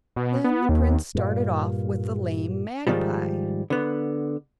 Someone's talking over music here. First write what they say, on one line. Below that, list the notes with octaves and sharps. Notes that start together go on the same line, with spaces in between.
Then the prince started off with the lame magpie.
B2
B3
D#2
G2 A#2
G#2 B2 D#3 F3 G3
D3 B3